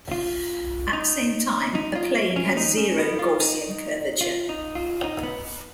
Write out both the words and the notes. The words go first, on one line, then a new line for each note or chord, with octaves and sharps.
At the same time, a plane has zero Gaussian curvature.
F4
D#4
D#4
F4
C#4
D#4
C#4
B3
F4
D#4
F4
D#4
F4
D#4
B3